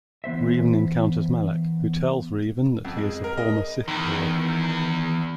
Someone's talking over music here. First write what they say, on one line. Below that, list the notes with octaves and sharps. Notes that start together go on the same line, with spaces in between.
Revan encounters Malak, who tells Revan that he is the former Sith lord.
E3 B3 C5 E5
F2
G#3
A#4
D#5
E2 D#3